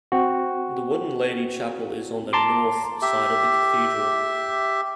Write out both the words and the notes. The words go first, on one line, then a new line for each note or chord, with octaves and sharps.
The wooden Lady Chapel is on the "north" side of the cathedral.
C4 F#4
A5 A#5 C6 D6
G4 E5